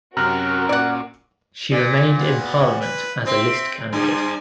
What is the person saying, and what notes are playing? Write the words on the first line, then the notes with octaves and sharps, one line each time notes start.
She remained in Parliament as a list candidate.
F#2 C3 C#4 F#4 A#4 A#5 F6 F#6
A#2 D5 F#5
A#2
B3 F#4
B4
C4 E5 C6
G2 G#5 C6